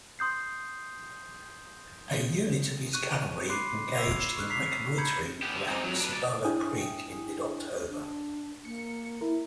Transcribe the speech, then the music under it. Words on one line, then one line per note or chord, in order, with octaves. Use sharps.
A unit of his cavalry engaged in reconnoitering around Cibolo Creek in mid-October.
C6 D#6 G6 C7
C#6 F#6 D#7
B5 C6 D6 F#6 C7
E6 G#6 C7 F7
C#6 F6 F#6
A#5 B6 C7 F7
A#5 B5 G6 G#6 C#7
B3 G4
D3
C4 D#4
F2 F#3
D4 B4
B2 D5
D4 E4 G5 G#5 D#6
D4
A#3 C#7
E4 A#4